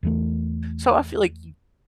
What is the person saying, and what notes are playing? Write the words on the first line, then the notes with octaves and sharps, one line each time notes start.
so I feel like, you
E2 E3 A3